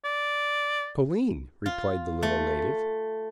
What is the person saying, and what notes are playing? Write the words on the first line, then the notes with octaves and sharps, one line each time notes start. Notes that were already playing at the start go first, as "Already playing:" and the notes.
"Toline," replied the little native.
D5
F4
A3